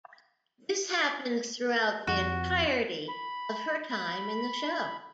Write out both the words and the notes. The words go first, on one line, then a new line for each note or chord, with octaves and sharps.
This happens throughout the entirety of her time in the show.
F2 F#4
B5
B5